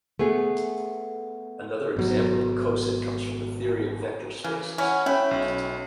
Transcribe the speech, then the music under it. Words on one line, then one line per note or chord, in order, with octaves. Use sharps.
Another example of a coset comes from the theory of vector spaces.
A3 B3 G#4
G#1 B2 F#3
C#3 E3
C#4 E4 C#5 F#5
C#4 E4 C#5 G5 B5
B1